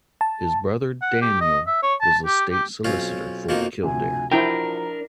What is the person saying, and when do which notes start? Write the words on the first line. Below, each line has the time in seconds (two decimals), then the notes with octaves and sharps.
His brother Daniel was the State Solicitor for Kildare.
0.21 A5
1.02 F#5
1.22 G4
1.41 D#5
1.67 E5
1.83 C#5
2.01 A5
2.26 G4
2.52 G4
2.84 B1 C4 C#4 F4
3.49 F2 B2 F3 A#3 D#4
3.83 D2 C3 F3 G#5
4.32 F3 D4 E4 F#4 A#4 C5 G5 A#5